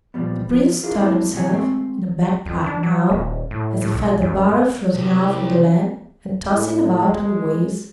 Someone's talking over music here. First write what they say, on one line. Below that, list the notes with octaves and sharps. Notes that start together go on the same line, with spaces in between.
The Prince thought himself in a bad plight now, as he felt the barrel floating out from the land and tossing about on the waves.
A#2 F3 G3 B3
F3
D4 E4 F4 G#4 A#4
G#3 A#3 C4 D4 E4 D5
E2 C3 E3 G4 C#5 G#5
G#3 A3 C4 G4
F2
D4
F#3
D#1
A2
A2
B1
F#2
C2 C3
A2
G#3